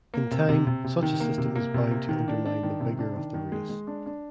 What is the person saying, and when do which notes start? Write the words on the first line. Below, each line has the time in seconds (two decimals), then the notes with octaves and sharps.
In time, such a system is bound to undermine the vigour of the race.
0.14 A#3
0.31 C3
0.49 C3
0.67 C3
0.84 C3
1.03 D#3
1.20 A#3
1.38 C3
1.55 A#3
1.74 C3
1.91 A#3
2.09 D#3
2.28 D4
2.45 D4
2.63 D#3
2.80 C3
2.99 D4
3.17 D#3
3.34 D#3
3.52 G#3
3.69 G#3
3.87 D4
4.06 D4